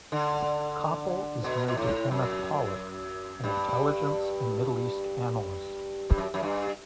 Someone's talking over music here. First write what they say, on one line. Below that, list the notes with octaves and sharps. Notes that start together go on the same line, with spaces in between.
Koppel is married to Kenneth Pollack, an intelligence and Middle East analyst.
D3
B2
B2
A2
F#2
G2
G2
F#2
F#2
G2